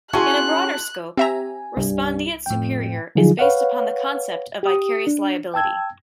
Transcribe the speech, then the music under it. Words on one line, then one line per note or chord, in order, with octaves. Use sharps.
In a broader scope, "respondeat superior" is based upon the concept of vicarious liability.
C#4 E4 F#4 G#4 G#5 A5 C6 F#6
C4 G4 E5 G#5 A#5
C2 G2
F2 A2 G5
D3 F3 F#3 D#4 F4 G#4
B4 C#5 F5 F#5
G4 D#6
D4
G5 A5 E6 G#6